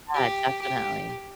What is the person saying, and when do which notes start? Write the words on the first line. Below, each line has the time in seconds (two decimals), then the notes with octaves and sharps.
Yeah, definitely.
0.14 G4
0.61 G4